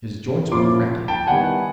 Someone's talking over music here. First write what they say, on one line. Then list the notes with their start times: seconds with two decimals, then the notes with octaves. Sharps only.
His joints were cracking.
0.51 A#2 F3 A#3 C#4 E4 C6 D6
1.08 G5 A5
1.27 D#3 G3 B3 E4 F#5 G#5